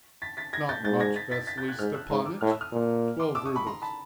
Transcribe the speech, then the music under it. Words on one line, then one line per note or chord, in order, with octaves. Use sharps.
"Not much, Vasily Stepanych--twelve rubles."
A6 B6
A6 B6
G#6 A#6
G6 A6
G#2 G6 A6
G#6 A#6
A6 B6
A6 B6
A6 B6
G6 A6
F#6 G#6
G#2 F6 G6
E6 F#6
G#2 A#5 C6
D6 E6
A2 F6
E6
D#6 F6
A#2
C6 D6
D6 E6
C#6 D#6
B5 C#6
A#5 C6
A5 B5